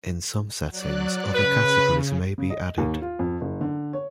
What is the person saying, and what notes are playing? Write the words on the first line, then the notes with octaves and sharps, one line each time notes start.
In some settings, other categories may be added.
F#3 D5 F#6
C#3 B4
C#3
D#5
D#2
F4
F2
F#1
D3
C#5